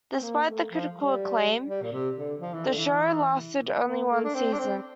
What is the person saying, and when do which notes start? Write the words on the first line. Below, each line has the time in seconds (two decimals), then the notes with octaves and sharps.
Despite the critical acclaim, the show lasted only one season.
0.14 C4
0.23 A#3
0.47 A3
0.71 F3
0.95 G3
1.68 G3
1.83 A#2
1.92 C3
2.17 D3
2.40 F3
2.53 E3
2.66 D3
2.78 E3
3.86 A#3
4.10 A3
4.24 D4
4.34 C4
4.53 D4
4.59 C4